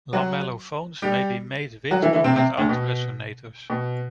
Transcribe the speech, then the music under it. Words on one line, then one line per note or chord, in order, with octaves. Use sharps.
Lamellophones may be made with or without resonators.
F#3 F#4
G3 G4
F#3 F#4
E3 E4
E3 E4
C3 C4
C3 C4
D2 D3
B2
B2